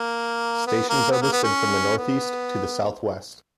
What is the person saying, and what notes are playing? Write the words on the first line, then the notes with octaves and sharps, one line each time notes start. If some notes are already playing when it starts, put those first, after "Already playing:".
Stations are listed from the northeast to the southwest.
Already playing: A#3
B3
A#3
B3
A#3
B3
C#4
B3